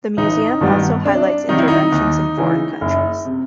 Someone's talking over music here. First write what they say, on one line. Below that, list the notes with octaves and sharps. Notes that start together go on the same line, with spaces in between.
The museum also highlights interventions in foreign countries.
A1 D#4
G2 D#3 G3 B3
C2 D4
C3 D#3 F#3 D#4
E4
D#4
D#2
C#3 E3
F#1
C3